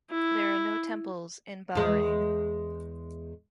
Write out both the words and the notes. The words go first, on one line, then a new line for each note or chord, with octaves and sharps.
There are no temples in Bahrain.
E4
E2 G#3